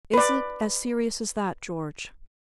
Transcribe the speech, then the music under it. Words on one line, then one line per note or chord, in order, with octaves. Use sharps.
"Is it as serious as that, George?"
B4 D5